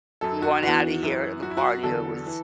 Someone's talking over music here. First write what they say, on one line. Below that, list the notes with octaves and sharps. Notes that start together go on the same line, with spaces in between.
we want outta here, the party, yeah, was
F#2 F#3 A4
F#4
E2 E3 F#4
F#2 E3
F#2 F#3 F#4
E4
F#4
E2 D3 F#3 A4
E3